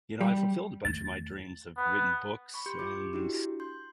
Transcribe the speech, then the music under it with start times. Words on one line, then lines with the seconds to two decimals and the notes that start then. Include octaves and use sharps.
you know, I fulfilled a bunch of my dreams. I've written books and
0.21 G3
0.85 E2 D#3 A3 A6
1.77 B3
2.54 B5 C#6
2.66 G4 C6 G6 C#7
2.79 F4 G4 D6
3.13 D4 E4 F#4 G4
3.60 C6 G6